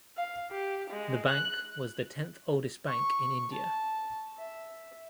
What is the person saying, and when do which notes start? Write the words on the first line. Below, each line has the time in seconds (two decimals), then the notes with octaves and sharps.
The bank was the tenth oldest bank in India.
0.17 F5
0.51 G4
0.90 G#3
1.28 F#6
2.87 C#6
3.52 A5
4.38 E5